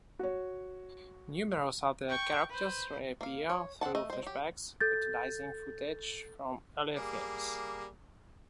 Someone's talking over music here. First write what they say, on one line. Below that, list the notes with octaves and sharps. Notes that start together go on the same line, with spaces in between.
Numerous other characters re-appear through flashbacks utilizing footage from earlier films.
F#4 C#5
G5 C#6
B4 C5
A#3 F5
C#5
C4 D4 F#5 A5
A3 D#5
G#3 C5
F#3 G4
A4 G6 A6
G3 A#3 G#4